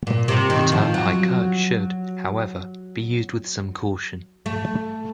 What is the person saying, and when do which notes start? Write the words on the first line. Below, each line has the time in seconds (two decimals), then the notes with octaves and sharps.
The term High Kirk should, however, be used with some caution.
0.07 A#2
0.28 C3
0.50 D#3
0.72 F3
0.94 F#3
4.46 A3